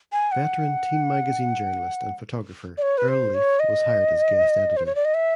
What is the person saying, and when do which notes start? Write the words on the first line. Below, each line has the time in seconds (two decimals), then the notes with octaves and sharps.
Veteran teen magazine journalist and photographer Earl Leaf was hired as guest editor.
0.12 G#5
0.32 F#5
2.78 D5
2.82 C#5
2.98 B4
3.08 C5
3.34 C#5
3.60 D#5
4.77 C5
4.86 C#5
4.95 D5
5.05 D#5
5.14 E5